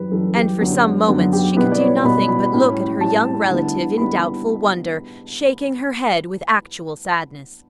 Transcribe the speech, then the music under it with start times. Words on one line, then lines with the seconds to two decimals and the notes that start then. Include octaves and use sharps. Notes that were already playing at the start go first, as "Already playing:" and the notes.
And for some moments she could do nothing but look at her young relative in doubtful wonder, shaking her head with actual sadness.
Already playing: F#2 E3 G3 B4
0.12 F#2 E3 G3 A4
0.36 G4
0.60 F#2 D3 F#3 B3
1.08 F#2 D3 F#3 B3
1.33 G4
1.56 B2 G3 B3 E4 B4
1.72 D5
1.81 C#5
2.04 B2 G3 B3 E4 B5
2.29 B5
2.46 B5
2.54 A2 G3 C#4 E4
3.01 A2 G3 C#4 E4 A5
3.50 D3 G3 B3 E4
3.98 D3 G3 B3 E4 B5